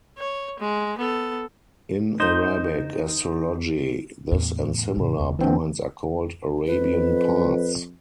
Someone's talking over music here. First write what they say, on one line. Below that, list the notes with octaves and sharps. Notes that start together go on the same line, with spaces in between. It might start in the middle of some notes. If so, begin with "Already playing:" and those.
In Arabic astrology, this and similar points are called Arabian Parts.
C#5
G#3
B3 A4
D#4 C5
E2 A2
G#2 C3
E1 E2
D3 E3 A#3 C4 D4
F2 B4